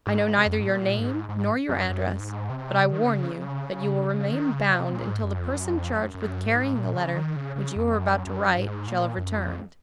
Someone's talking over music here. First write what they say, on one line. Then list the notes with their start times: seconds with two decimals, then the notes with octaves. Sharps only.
I know neither your name, nor your address, but I warn you, that you will remain bound until the person charged with carrying the letter which you are about to write shall have returned.
0.07 G#2
0.38 C3
0.46 F2
0.53 F#2
0.61 G#2
0.68 A#2
0.99 G#2
1.29 G#2
1.69 F#2
1.90 F#2
2.19 G#2
2.50 C3
2.80 C#3
2.92 D#3
3.03 C#3
4.32 D#3
4.53 C#3
4.73 C3
4.93 A#2
5.08 G#2
5.23 F#2
5.38 F2
5.54 F#2
5.74 F2
5.94 F#2
6.15 F#2
6.45 G#2
6.75 A#2
6.95 C#3
7.16 D#3
7.36 C#3
7.56 C#3
7.76 F2
7.96 F#2
8.27 F#2
8.57 G#2
8.88 A#2
9.18 F#2
9.38 F2